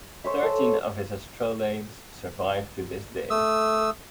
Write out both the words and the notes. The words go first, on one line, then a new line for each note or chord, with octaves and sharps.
Thirteen of his astrolabes survive to this day.
C5 C#5 E5
A4
A3 D#6 E6